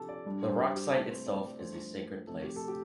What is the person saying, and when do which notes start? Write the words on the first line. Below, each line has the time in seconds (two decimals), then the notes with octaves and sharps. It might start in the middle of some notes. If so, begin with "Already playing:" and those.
The rock site itself is a sacred place.
Already playing: C3 F3 D4 G4 A4
0.09 D5
0.25 G2 G3 D4
0.43 C5
0.59 G4
0.76 G4
0.92 C2 C3 A3 A4
1.10 C5
1.27 D5
1.60 G2 F3 A3 C5
2.27 F2 C3 A3 A4
2.43 G4
2.56 A4
2.68 G4